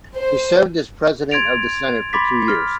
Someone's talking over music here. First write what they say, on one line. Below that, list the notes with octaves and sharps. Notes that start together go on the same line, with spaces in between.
He served as President of the Senate for two years.
C5
C6 G#6 A6 D7 F7
B5 C6 D6 A6 B6
F6